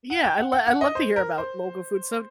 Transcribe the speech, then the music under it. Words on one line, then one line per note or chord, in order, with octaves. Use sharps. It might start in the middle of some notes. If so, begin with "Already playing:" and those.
Yeah, I lo I love to hear about local food, so
F#5
G5
F#5
F#5
F#5
D#5
C5
A#4
C5